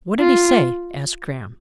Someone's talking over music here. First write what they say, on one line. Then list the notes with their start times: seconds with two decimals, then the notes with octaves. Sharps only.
"What did he say?" asked Graham.
0.19 F4